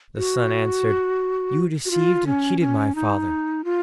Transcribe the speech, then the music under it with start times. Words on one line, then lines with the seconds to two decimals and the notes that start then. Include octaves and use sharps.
The son answered, 'You deceived and cheated my father.
0.17 F#4
1.85 F#4
1.91 F4
2.27 C#4
2.60 C#4
2.95 D#4
3.65 F4